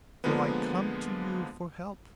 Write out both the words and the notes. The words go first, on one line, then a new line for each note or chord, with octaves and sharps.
So I come to you for help.
D3 F3 G#3 A#3 B3